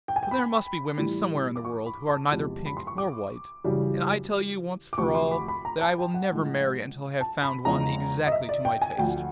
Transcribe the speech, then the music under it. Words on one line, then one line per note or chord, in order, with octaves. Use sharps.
But there must be women somewhere in the world who are neither pink nor white, and I tell you, once for all, that I will never marry until I have found one exactly to my taste.'
G5
G#5
G5
B5
A2 E3 G3
D6
C#6
B5
A5
E2 C3 F3 G#3
B5
C6
C#6
D6
F#2 C#3 E3 G3
D6
D2 C3 F3 C#6
C6
B5
B5
A#5
A5
G5
F#5
A2 F3 G#3
A5
B5
E2 C#3 F3 G#3 A#5
D#5
E5
D5
G5
G#5
D2 D3 F3 G5